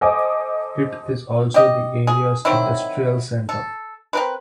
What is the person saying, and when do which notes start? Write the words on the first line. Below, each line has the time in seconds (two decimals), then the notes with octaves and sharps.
It is also the area's industrial centre.
0.01 A4 C5 D#5 G#5 D6 D#6
1.54 G4 D#5
2.07 G#4
2.45 D#3 F#3 C4 E4
3.49 A4
4.13 C4 A#4 B4